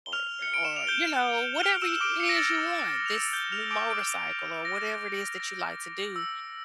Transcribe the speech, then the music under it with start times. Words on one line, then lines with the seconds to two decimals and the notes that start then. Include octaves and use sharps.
or o or, you know, whatever you it is you want. This new motorcycle or whatever it is that you like to do,
0.06 G7
0.13 F6 F7
0.42 C#7
0.54 D7
0.65 E7
0.76 F7
0.87 G6 G7
1.56 G7
1.63 F6 F7
1.82 E6 E7
1.92 E7
2.01 D6 D7
2.20 C#7
2.29 A#6
2.37 A6
2.46 A#6
3.06 F7
3.14 E6 E7
3.33 G6 G7
3.52 F6 F7
3.71 D6 D7
3.90 D6 D7
4.65 A#6
5.40 A#6
6.16 E6